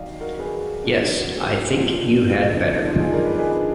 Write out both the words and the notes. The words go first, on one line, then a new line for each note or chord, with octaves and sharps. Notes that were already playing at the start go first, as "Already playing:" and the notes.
Yes, I think you had better.
Already playing: D#2 D#3 F#3 D5 D#5 F5
F#4 A#4
G#4 B4
D4
F2 D3 F#3 D#4
D#4 F#4
D4 F4
D2 D3 F3 D#4
D4
D#4
D4 F4
F4 G#4
A#4 D5
B4 D#5
G#4 B4
D4